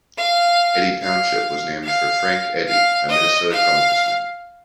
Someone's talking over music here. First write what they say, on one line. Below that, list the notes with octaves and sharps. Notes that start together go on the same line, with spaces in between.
Eddy Township was named for Frank Eddy, a Minnesota congressman.
F5
F5
F5
F5
D#5
F5